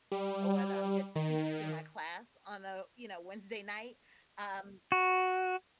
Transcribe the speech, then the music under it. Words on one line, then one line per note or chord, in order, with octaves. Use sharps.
or whether I'm just teaching my class on a, you know, Wednesday night, um,
G3
D#3
F#4